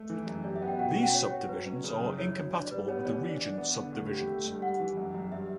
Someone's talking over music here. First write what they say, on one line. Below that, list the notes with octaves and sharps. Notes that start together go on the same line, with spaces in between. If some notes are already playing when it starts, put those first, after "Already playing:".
These subdivisions are incompatible with the region subdivisions.
Already playing: A3
E3
F#2
G4 D5
E5
B3
G5
B2 F#5
G5
C#4
F#5
F#4 C#5
F#4
F#3 B4
C#4
C#3
F#2
E4 C#5
F#3
D4 D5
G3 B4
B3 C#5
E3 D5
D4
D4
B3
D3
A2
G4
A3
G2
G3 F#5
E3
F#2
F#2
G2 E5